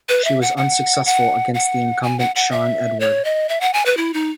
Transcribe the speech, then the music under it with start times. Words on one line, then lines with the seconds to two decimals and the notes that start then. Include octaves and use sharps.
She was unsuccessful against the incumbent Shawn Edward.
0.09 B4
0.24 E5
0.42 F#5
0.57 F#5
1.06 F#5
1.54 F#5
2.03 G#5
2.19 F#5
2.36 F#5
2.51 E5
3.00 C#5
3.25 D#5
3.49 E5
3.61 F#5
3.73 G#5
3.86 B4
3.97 E4
4.14 D#4